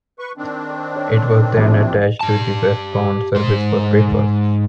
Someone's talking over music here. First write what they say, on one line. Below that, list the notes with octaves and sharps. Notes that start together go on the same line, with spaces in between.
It was then attached to the westbound service for breakfast.
B4 C#6
D#3 C4 D4
C#5
A#1 C3 E3
G4 A5
G#2 C5